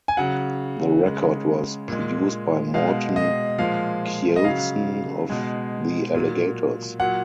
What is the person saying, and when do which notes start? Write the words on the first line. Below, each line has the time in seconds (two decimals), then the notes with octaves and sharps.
The record was produced by Morten Kjeldsen of The Alligators.
0.08 G#5
0.17 C#3 F#3 F#5
1.03 C#3 G#3
1.88 A#2 G#3
2.74 B2 G#3 F5
3.16 D#5
3.58 A#2 F3 G#3 F5
4.36 D#5
4.44 C#3 F#3 F5
5.30 B2 G#3
6.14 A#2 F#3
7.00 A#2 F#3 F#5